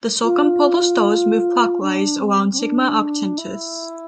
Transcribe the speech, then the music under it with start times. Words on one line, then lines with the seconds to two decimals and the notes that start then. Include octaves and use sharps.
The circumpolar stars move clockwise around Sigma Octantis.
0.22 F4
1.80 D4
2.19 C4
2.51 C4
2.58 D4
3.37 E4